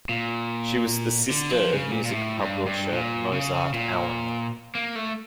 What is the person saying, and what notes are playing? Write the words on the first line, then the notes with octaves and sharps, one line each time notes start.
She was the sister of music publisher Mozart Allen.
A#2
D3
F3
C#3
A#2
A#2
A2
G2
G2
A#2
C#3
A#2
A#3
A3